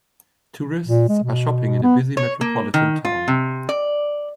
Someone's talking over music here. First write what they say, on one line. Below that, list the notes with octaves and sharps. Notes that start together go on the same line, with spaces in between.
Tourists are shopping in a busy metropolitan town.
A#2
G#3
B2
B3
C#5
A#3
D#3
F4
C3
D5